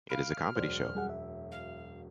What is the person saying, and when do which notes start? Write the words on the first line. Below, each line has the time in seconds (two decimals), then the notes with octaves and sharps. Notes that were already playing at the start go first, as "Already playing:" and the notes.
It is a comedy show.
0.09 F5 B5 F6 D7
0.56 E1 F#2 C5 D5
0.95 G3 G#4 F#5
1.09 E5
1.51 F5